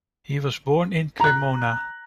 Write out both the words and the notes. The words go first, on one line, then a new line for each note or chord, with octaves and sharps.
He was born in Cremona.
A#5 F#6